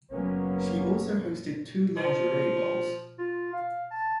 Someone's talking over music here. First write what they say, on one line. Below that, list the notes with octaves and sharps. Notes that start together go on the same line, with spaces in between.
She also hosted two Lingerie Bowls.
F#1 F#3 A#3 B3 C#4
F3
F4
F5
A5